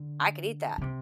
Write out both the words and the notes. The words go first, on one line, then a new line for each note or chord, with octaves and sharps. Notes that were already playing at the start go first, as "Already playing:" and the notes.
"I could eat that."
Already playing: D3
D3
C3